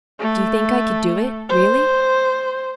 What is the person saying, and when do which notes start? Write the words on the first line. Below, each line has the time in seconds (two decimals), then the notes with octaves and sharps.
"Do you think I could do it, really?"
0.20 A3
1.49 C5